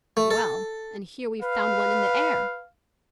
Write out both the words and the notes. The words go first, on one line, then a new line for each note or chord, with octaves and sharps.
"Well; and here we've found one in the air!"
A3
A4
B4 F5